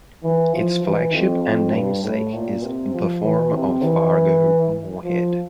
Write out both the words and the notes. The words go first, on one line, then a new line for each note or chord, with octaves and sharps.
Its flagship and namesake is "The Forum of Fargo-Moorhead".
E3
F3
E3
F2
F2
G2
A2
A#2
C3
F3
E3
C3
E3
F3